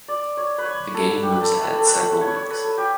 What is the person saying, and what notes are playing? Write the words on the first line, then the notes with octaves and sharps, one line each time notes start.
The game moves ahead several weeks.
D5
C#5
B4
C#5
A4
G4
B4
A4
B4
A4
B4
C#5
C#5
C#5
B4
A4
G4